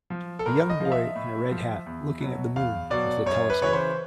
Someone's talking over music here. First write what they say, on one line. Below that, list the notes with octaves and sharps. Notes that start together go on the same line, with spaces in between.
A young boy in a red hat looking at the moon with a telescope.
F3
A4
A2 A#4
D#5
F3
F5
E5
A2
F3
E2
B2 F#3
E2 F5
B2 F#3 D5
F#2 C#5
B4
C#3 E3 C#5
C5